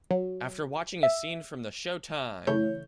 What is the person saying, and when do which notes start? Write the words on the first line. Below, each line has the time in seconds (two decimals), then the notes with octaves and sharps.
After watching a scene from the Showtime!
0.11 F#3
1.03 E5
2.47 C#3 E3 A3 E4 C#5 G6